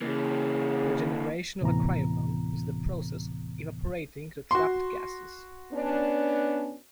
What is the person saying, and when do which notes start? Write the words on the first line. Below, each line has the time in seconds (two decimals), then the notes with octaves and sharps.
Regeneration of a cryopump is the process of evaporating the trapped gases.
0.02 C#3 E3 A#3
1.61 D2 A2 C3 E3 B3 A#5
4.51 F#4 C6
5.72 B3 C#4 D4